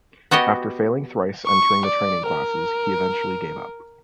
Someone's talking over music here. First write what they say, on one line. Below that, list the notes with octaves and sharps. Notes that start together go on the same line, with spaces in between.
After failing thrice entering the training classes, he eventually gave up.
B3 F#4 G4 D#5
C#6
D5
A#4